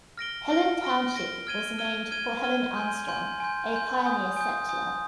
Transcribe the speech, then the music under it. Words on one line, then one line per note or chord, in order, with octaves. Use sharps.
Helen Township was named for Helen Armstrong, a pioneer settler.
F6 A#6 D7 G7
F6 A#6 D7 G7
F6 A#6 D7 G7
F6 A#6 D7 G7
F6 G#6 D#7 G7
F6 G#6 D#7 G7
F6 G#6 D#7 G7
F6 G#6 D#7 G7
G#5 C6 G6
G#5 C6 G6
G#5 C6 G6
G#5 C6 G6
G#5 D#6 G6
G#5 D#6 G6
G#5 D#6 G6